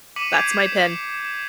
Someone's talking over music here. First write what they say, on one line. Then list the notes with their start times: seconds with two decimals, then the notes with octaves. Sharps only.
That's my pin."
0.16 D6 B6 C#7 D#7 E7 F#7
0.32 G6 G#6 C7 D7 E7 F7